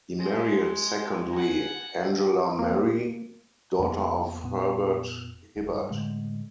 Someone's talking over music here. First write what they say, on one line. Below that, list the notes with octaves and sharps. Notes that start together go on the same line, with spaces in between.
He married, secondly, Angela Mary, daughter of Herbert Hibbert.
G#3
F#5 G#5
A#3
F2 C3 A#3 B3
F1 A#2 B3
D1
G2
A2 D3 G#3